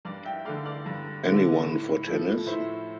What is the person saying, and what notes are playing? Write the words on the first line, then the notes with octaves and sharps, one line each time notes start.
Anyone for tennis?
G2 D5 F5
E5 G5
D3 A3 D5 F5
D5 F5
G2
D3 A3
A2
F3 A3
A2 C5 E5